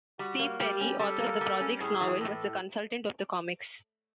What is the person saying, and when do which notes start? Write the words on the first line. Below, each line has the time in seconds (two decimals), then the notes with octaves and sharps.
Steve Perry, author of the project's novel, was a consultant of the comics.
0.19 G3 F#4
0.39 A#3
0.60 G3 G4
0.81 C#4
0.99 G3 A4
1.20 A#3
1.41 G3
1.60 C#4
1.81 A2 G#4
2.01 E3
2.21 A2 A4